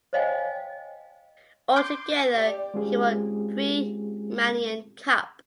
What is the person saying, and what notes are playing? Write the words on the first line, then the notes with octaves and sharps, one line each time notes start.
Altogether he won three Malian Cup.
C5 C#5 D#5 F5 G5 G#5
C6 D6 G6
G4 D5
G#3 C4 C#4 F4 G4 G#4